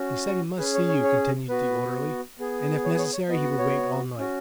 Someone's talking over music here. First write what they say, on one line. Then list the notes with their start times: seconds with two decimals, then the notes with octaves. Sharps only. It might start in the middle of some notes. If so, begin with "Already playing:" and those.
"He said he must see you," continued the orderly, "and if necessary he would wait all night."
Already playing: C#4 F#4
0.29 C#6
0.58 C#4 G#4 B4
0.74 C#5
0.89 C#5
1.03 C#5
1.49 B3 F#4 B4
2.39 B3 G#4
2.84 C#5
2.98 C#5
3.13 C#5
3.29 B3 D#5
3.33 F#4
3.44 F#5
3.59 C#5
4.18 C#4 F#4